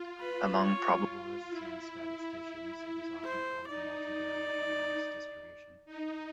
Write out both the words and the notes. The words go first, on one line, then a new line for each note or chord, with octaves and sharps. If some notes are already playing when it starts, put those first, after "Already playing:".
Among probabilists and statisticians it is often called the multivariate Ewens distribution.
Already playing: F4
B4
C#5
E4
C5
D#4 D5
D#4